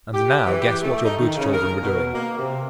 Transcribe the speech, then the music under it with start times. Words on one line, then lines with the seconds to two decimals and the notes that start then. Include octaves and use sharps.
And now, guess what your good children were doing?
0.14 G4
0.46 E3
0.61 G4
0.82 A3
1.05 D#4
1.21 D#3
1.36 C#3
1.53 A#4
1.82 B2
2.14 A#3
2.38 C3